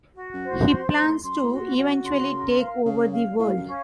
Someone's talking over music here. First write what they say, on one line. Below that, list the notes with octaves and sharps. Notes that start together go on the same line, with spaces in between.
He plans to eventually take over the world.
F#4
F#2
C5
A2
F2 C6
F#2
C6
A2
F#2 C6
A2
F#4
A#2
C3 F#4
C#3 C6
A#4
F5
C#3 F5
F5
A2 F5
F#2
C#4